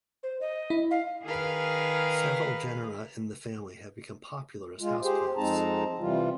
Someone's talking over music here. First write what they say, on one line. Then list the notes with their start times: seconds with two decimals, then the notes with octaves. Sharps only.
Several genera in the family have become popular as houseplants.
0.23 C5
0.41 D#5
0.70 E4
0.91 F5
1.24 D#3 G#4 A#4 B4 F5
4.80 G#3 F4
5.02 G4 G#4 C5
5.37 F2 G#3 C4 D#4 A5 A#5
5.99 C3 E3 G3 F4